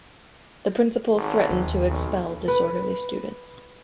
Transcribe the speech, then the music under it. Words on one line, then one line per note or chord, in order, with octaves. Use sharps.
The principle threatened to expel disorderly students.
G#1
D#2
B1
B4